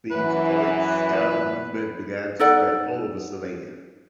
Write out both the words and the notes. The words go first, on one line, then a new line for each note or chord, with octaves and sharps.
The Catholic Scout Movement began to spread all over Slovenia.
F#2 E3 B4
D#4 A4 D5 F#5